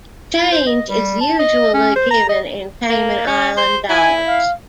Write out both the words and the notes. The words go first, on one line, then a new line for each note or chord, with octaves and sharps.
Change is usually given in Cayman Island dollars.
E4
C5
D#5
G3
A5
D#5
C#4
C5
A#5
D#5
A#3
C#4
C5
E4 G#5
F5